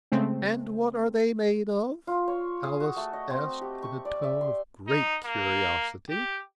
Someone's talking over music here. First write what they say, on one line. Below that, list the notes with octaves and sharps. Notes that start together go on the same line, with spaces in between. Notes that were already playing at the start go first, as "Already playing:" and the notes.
'And what are they made of?' Alice asked in a tone of great curiosity.
C#3 G#3 A3 C4
F4
C#5
G#4
F#4
A3
D#5
C4
G4
C#6
D5
E5
C6
D#4
A#3
G4